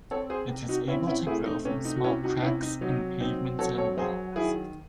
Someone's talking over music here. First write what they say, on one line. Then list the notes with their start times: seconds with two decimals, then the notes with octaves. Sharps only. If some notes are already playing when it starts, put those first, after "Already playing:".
It is able to grow from small cracks in pavements and walls.
0.11 C4 A4 C#5
0.30 G#4 C5
0.49 C3
0.69 D#4 F#4
0.88 C4 C#4 E4
1.07 C#4 E4
1.27 A3 E4 G#4
1.46 D#4
1.65 C3 C#4
1.85 D#4
1.96 F#4
2.04 C3 C#4 E4
2.23 D#4 F#4
2.37 D#4
2.43 C3 C#4 E4
2.62 D#4
2.81 F#3 D#4
3.20 C4 D#4
3.59 F#3 A4 C#5
3.78 A4 C#5
3.97 F#3 G#4 C5
4.36 D#3 E4 G#4